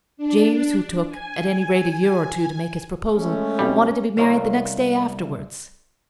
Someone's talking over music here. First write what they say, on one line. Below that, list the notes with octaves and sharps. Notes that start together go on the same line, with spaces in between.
"James, who took, at any rate, a year or two to make his proposal, wanted to be married the next day afterwards."
D4
G#5
G#3 A3 C#4
B1 G3 C4
C2 A#4 C#5 D#5 F5 A#5